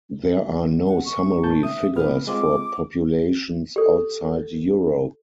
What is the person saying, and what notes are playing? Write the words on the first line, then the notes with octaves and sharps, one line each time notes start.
There are no summary figures for populations outside Europe.
F#5
C#6
A#2 A5 G6
E5 D#6
A#2 B3 B4 F6
G#3 C4 F4 D6
G4 A4